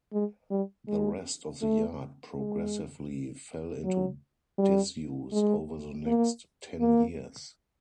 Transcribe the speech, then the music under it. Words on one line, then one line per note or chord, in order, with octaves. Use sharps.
The rest of the yard progressively fell into disuse over the next ten years.
G#3
G3
G#3
A3
G#3
F#3
G3
G#3
A#3
A#3